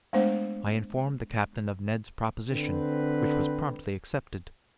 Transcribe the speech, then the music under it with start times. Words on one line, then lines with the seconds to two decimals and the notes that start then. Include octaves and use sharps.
I informed the captain of Ned's proposition, which was promptly accepted.
0.13 G#3 A3 B3 D4 C5 F#5
2.50 D3 C4 B4